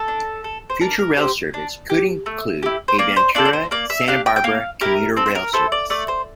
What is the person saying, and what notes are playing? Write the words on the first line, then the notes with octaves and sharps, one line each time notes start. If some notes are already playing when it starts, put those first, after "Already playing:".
Future rail service could include a Ventura-Santa Barbara commuter rail service.
Already playing: A4
D4
A4
C5
D4 A#4
A#4
G4 C5
D4
G4
A3
E4 G4
C5
A#3 D5
C5
D4 F4 A4 D5
D5
C5
A#3 D5
E5
D4 G4 F5
G5
G5
A#3 F5
E4 G4 A#4
C4 A4
C5
A#4
E4 A4 C5
D5
A3 D5
C5